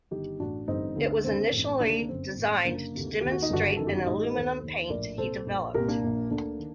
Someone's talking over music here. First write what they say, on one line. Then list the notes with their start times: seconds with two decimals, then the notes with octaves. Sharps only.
It was initially designed to demonstrate an aluminum paint he developed.
0.11 G1 G2 D#3 D#4 G4
0.40 A1 A2 D4 F#4
0.68 A1 G2 D3 C4 D#4
0.96 D2 D3
1.24 D#2 D3 C4
1.52 A1 A2
1.80 D2 C3 D#3 A#3 D4
2.09 G1 F#2 D3 C4
2.37 A1 A2
2.65 F#1 F#2 D3 A#3 D4
2.93 D2 C3 D#3
3.21 D#2 D#3 G4
3.32 F#4
3.42 D#4
3.49 G1 G2 D#3 D4 F#4
3.77 G1 F#2 D#3 A4
3.87 G4
3.97 F#4
4.06 A1 A2 D#4 G4
4.24 A#4
4.33 D#2 D#3 A4 C5
4.62 D#2 D#3
4.90 A#1 A2 A#4 D5
5.18 C2 A#2 A4 C5
5.46 A#1 A#2
5.74 C2 A#2 G4 A#4
5.88 A#3 D4
6.03 A#1 A#2
6.30 D2 D3 A#3 D4
6.59 D#3